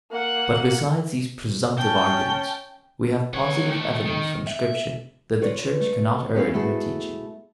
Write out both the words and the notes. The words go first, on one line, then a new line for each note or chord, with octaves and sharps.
But besides these presumptive arguments, we have positive evidence from Scripture that the Church cannot err in her teachings.
A#3 F#5
C#4 G5 A5
B3 C#5
D#2 A3
D#3
E5
F4 B4 C#5 D5
A3
B3 C#4 E4 F5
A3 E4 F#4 G#4 A4